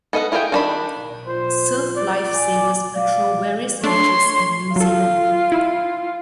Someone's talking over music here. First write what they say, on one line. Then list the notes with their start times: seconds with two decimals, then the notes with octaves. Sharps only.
Surf Lifesavers patrol various beaches in New Zealand.
0.13 B3 A4 D#5 E5 F#5
0.32 E4 F4 G#4 C5 G5
0.52 D#3 D4 B5
1.27 F4 C5
1.97 D5
2.34 G#5
2.95 D5 F5
3.83 A3 D4 C#5 C6
4.76 F#3 F4 A4
5.52 E4